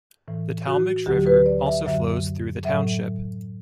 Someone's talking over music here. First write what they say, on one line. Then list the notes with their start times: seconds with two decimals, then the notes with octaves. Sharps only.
The Talmadge River also flows through the township.
0.28 A2 E3
0.67 F#4
1.06 D2 D3 F#3 G4
1.26 B4
1.46 D5
1.66 E5
1.86 F#2 D3 F#3 E5
2.65 A2 F#3 E5